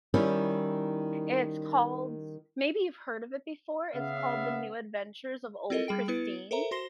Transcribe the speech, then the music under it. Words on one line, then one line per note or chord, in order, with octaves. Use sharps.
it's called maybe you've heard of it before, it's called The New Adventures of Old Christine.
D#3 G3 C#4 E4
C#3 B3 E5 F5
C4 E4 F4 A4 A#4 D#5
G3 G#4 G5 D7
B3 E4 B4 C#7
A4 A#4 C5 E5 A#5
F#4 C5 C6 A#6 C7 G7